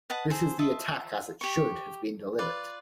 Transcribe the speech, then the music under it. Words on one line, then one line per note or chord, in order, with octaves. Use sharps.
This is the attack as it should have been delivered.
B4 D#5 F#5 A5
G#4 A4 C5
F4 D#5 E5 A5
G4 C#6
F4 B4 D5